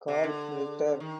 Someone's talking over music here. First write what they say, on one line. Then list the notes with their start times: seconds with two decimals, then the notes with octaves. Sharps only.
Carl Ritter.
0.08 C3
0.24 D3
1.00 D#3